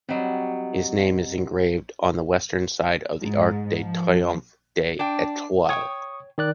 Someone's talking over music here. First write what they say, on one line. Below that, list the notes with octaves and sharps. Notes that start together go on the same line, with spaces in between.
His name is engraved on the Western side of the Arc de Triomphe de l’Étoile.
F#3 G3 C4 D#5
G#2
F3
D4 G5
C#5 G5 C#6 D#6
D#3 D5 F#6